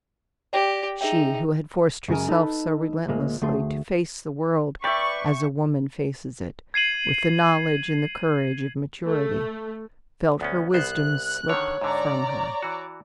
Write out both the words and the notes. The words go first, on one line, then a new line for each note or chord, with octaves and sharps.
She, who had forced herself so relentlessly to face the world as a woman faces it, with the knowledge and the courage of maturity, felt her wisdom slip from her.
G4 D5 G5 A#6
D#4 G#4 E5 G5
F#2 C#3 G#3 G#4 A#4
D#4 A4 B4
D2 A#2 G#3 A#3
D2 A3 G#4 C6
B4 D5 E5 G5 C#6
G#6 C7 D#7 F#7
A3
D2 B3 C#4
C2 B3 C5 F#6
D3 D#3 C#5
G#2 D3 D5 A#5
E3 F#4